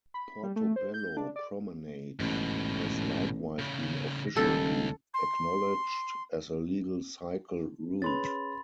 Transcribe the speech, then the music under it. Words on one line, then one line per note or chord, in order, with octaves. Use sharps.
Portobello promenade has likewise been officially acknowledged as a legal cycle route.
B5
G3
A3
C5
G6
D4
D5
A1 G#2 B2
A2 C#3
D#1 C#2 A4
C6
C#4 G#4 B4 B5 C6 A6